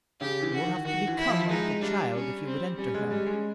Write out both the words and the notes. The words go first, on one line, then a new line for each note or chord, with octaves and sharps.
"You will have to become a little child if you would enter her."
C#3 G4
E3
F#4
D#3
D#3 F#4
E3
E4
F3
G#3 D#4
G3 D4
C#4
C4
G3 C#4
G#3
G3 C#4
G#3